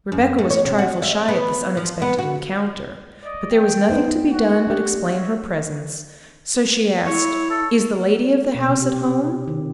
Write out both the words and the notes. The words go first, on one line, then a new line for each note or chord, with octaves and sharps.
Rebecca was a trifle shy at this unexpected encounter, but there was nothing to be done but explain her presence, so she asked, "Is the lady of the house at home?"
F#2
A3
C#5
C3
F#4
E5
B3
F3
B3
F#4
D5 D#5
G5
B3 D#4 C5
F#4
D4 G4
F#4 C#5 E5
E4 C#5
A4
B2
C3
G4
C#4
D#3